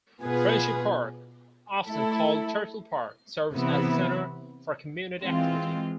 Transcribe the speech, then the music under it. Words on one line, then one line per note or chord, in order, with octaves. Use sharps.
Friendship Park, often called Turtle Park, serves as a center for community activity.
B2 B3 F4 G#4 B4
A3 E4 A4
C3 E3 B3 E4
E3 G#3 C4 F4